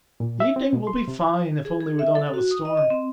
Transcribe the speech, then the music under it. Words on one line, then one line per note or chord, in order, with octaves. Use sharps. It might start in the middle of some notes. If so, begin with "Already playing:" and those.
The evening will be fine, if only we don't have a storm.
A#2
E5
C4
B2
C6
C3
G#4
G#4
E5
A4
F#4
D#6
D#5
D#5
C4